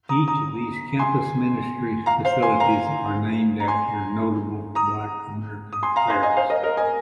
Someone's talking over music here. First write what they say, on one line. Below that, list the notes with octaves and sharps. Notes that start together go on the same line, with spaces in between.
Each of these campus ministry facilities are named after notable Black American clerics.
A#5 D#6
A#5 D#6
G#5 C6
F5 A#5
C5 F5
G#5 C6
F5 A#5
A#5
G#5 C6
A#5 D#6
D#6
G#5 C6
F5 A#5
G#5 C6
D#5 G#5
C5 F5
A#4 D#5
A#4 D#5
D#5 G#5